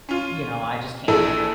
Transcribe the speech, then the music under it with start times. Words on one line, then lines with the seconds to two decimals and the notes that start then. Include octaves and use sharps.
you know, I just can't,
0.09 C#4 F4
1.08 A#1 E3 G#4 A4